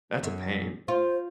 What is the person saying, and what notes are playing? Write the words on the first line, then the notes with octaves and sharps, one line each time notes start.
That's a pain.
F#2
F4 C5